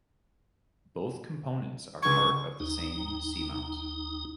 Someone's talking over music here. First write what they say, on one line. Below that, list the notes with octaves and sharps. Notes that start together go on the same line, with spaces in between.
Both components are part of the same seamount.
C#2 C#6 G#6
D#2 D#4